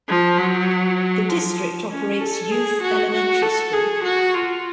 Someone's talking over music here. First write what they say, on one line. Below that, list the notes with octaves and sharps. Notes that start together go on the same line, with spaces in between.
The district operates Youth Elementary School.
F3
F#3
F3
C#4
A4
G#4
F#4
F#4
A4
G#4
F#4
F4